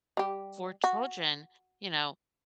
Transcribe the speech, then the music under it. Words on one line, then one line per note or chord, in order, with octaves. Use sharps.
for children, you know,
G3 G4
F#4